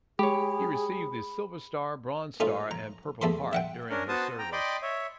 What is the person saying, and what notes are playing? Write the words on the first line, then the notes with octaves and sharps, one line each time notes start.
He received the Silver Star, Bronze Star and Purple Heart during his service.
G#3 G4 G#4 C#5 B5
A3 C#4 D#4 F4
A#5
E2 A3 A4 B5 C6
E5 F#5 G5
C#4 D4 A#4
B3 F#4 C5 A5 D#6
G5 A#5
D5 D#5 G5 B5 C6 D6
C#5 E5